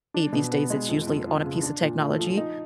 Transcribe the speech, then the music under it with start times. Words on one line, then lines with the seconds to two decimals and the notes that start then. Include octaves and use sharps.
these days, it's usually on a piece of technology,
0.14 D4
0.33 B2
0.52 B3
0.70 G#3
0.89 F2
1.07 F2
1.26 F3
1.44 C#3
1.63 D4
1.82 A#2
2.00 A3
2.19 F3
2.37 D#4